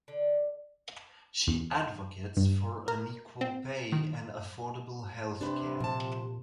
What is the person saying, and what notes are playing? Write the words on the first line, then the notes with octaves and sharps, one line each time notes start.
She advocates for an equal pay and affordable health care.
D3
E2
G2
A#4
C4
D#3
C3 D4 G4 B4 C6
A#2 F3 A5